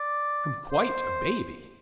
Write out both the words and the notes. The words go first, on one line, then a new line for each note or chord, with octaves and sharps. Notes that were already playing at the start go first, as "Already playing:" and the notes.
I'm quite a baby.
Already playing: D5
C5